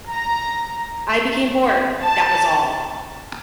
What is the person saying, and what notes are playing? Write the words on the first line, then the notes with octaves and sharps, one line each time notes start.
I became bored — that was all.
A#5
A5